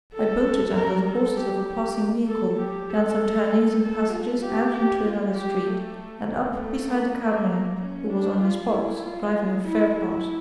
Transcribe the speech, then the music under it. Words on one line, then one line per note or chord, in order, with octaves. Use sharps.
I bolted under the horses of a passing vehicle, down some turnings and passages, out into another street, and up beside a cabman who was on his box, driving a fare past.
A4
A#4
A4
G4
G4
A4
G4
A4
A4
F4
G4
G4
F4
G4
A3
A#3
A3
A#3
A#3
A#3
C#4
D4
F4
E4
F4
E4
E4